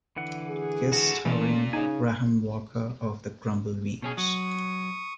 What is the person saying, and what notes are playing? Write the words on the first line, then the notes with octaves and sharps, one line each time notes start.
Guest starring Graham Walker of The Grumbleweeds.
D3 E3 F#5
G#4
F#4 A4
A#2 E3 A3 C#4
C#3 D#4 G#5 D#6
B2 C#4 G#4
F#3 C#6 D#6